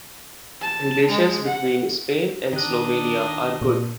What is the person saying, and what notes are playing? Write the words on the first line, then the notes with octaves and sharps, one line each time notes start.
Relations between Spain and Slovenia are good.
A5
G#3
F#5
D#3 D4 D#5 F#6
A#2